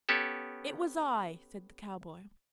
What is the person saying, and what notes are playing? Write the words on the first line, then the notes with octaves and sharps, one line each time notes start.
"It was I," said the cowboy.
B3 C#4 G4 A4